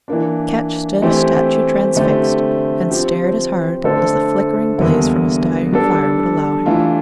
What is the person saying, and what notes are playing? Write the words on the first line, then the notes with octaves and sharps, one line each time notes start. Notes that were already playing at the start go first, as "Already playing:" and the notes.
Ketch stood a statue transfixed, and stared as hard as the flickering blaze from his dying fire would allow him.
E3 A#3 D4
E3 A3 C4 G4 C5
D3 A3 C4 G4
F3 C4 G4
D3 A3 D4 A4 C5
E2 D3 G3 A#3 E4
G3 D4 A4
E3 A3 D4 F4